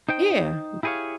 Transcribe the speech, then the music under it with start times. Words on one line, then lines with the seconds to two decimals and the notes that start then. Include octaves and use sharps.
Yeah, m
0.09 D#4 C5 G5
0.83 E4 G4 G#4 A#4 C#5 F5